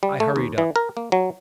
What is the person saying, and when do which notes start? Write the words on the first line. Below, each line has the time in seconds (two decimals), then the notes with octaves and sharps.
I hurried up.
0.03 G3
0.20 A3
0.36 D#2
0.58 E3
0.76 A#4
0.97 A#3
1.12 F#3